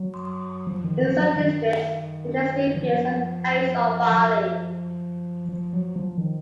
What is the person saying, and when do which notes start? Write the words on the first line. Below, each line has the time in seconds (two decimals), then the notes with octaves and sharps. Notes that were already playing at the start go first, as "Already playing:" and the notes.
In some districts they nest in fields of oats or barley.
Already playing: F#3
0.67 F3
0.84 D#3
1.02 F3
1.19 F#3
1.36 D#3
2.75 F3
4.12 F3
5.49 F3
5.73 F#3
5.96 F3
6.18 D#3